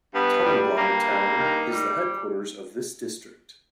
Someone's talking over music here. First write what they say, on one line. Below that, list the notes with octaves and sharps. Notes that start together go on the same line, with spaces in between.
Tamenglong town is the headquarters of this district.
G2 B3
G3
G2 A#3
G2
D#3
G3